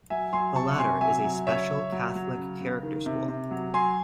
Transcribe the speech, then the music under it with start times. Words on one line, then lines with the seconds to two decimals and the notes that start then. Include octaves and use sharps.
The latter is a special catholic character school.
0.10 F#3 E5 G#5
0.33 F#3 G#5 C6
0.56 C3 A5 C#6
0.71 C#6
0.79 C3 G#5 C6
1.01 F#3 E5 G#5
1.24 F#3
1.47 C#3 C#5 E5
1.69 C#3
1.92 F#3
2.15 F#3
2.38 C#3
2.61 C#3
2.83 D#3
3.06 C3
3.28 C3
3.51 F#3
3.74 F#3 G#5 C6